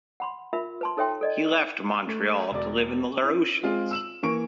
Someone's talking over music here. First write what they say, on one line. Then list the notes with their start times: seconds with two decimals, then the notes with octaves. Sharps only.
He left Montreal to live in the Laurentians.
0.20 F#5 B5 C6
0.53 F4 A#4 E5 B5
0.81 B4 A5 C6
0.97 D#4 A4 C#5 E5 G5 C6
1.21 A4 D5 D#5
2.07 A3
2.52 E1 D5
3.22 C#4 E4
3.63 G#3 C4 F4 G#4
3.91 E6 E7 F#7
4.23 E3 A#3 C#6 D7